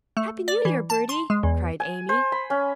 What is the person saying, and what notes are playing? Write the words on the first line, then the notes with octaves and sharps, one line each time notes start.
"Happy New Year, Bertie," cried Amy.
A3
D5
E3
A5
C6
G#3
E2
G#5
C5
B5
C#4